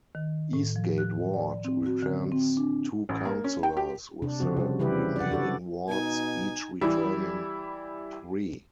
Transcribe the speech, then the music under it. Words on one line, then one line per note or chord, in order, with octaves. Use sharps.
Eastgate ward returns two councillors, with the remaining wards each returning three.
D#3
A2
F3
F#6
D5
C4
F#4
D3
C4
D4
A1
A#3
C#4
G5
G4
C3 D4
C#3 F3 C4 F#4
C3 G3
C#3 E3 G3 E4 G4 B4
D5 F#5
D4 F#4 A4 D5
B2 D#4 G#5
E3 G3 E4